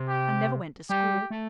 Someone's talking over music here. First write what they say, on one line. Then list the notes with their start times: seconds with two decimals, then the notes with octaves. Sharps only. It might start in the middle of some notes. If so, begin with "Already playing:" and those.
I never went to school.
Already playing: C3
0.08 G4
0.90 G3 G4
1.30 A3